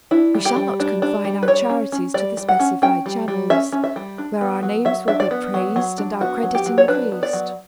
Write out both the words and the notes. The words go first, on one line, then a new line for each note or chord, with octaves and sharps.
We shall not confine our charities to the specified channels, where our names will be praised and our credit increased.
D4 E4
G3
G4
G3
D4
D4
G3
B4
G3 C#5
C#4
C#4
G3 D5
G3
F#5
C#4
C#4 G5
G3
G3
C#4 E5
C#4
E5
G3
D4
B3
F#3
F#3 E5
D4 E5
D5
B3
F#3
F#3
D4
B3 F#4
F#3
G4
F#3
C#5
D4 B4
B3
D5
F#3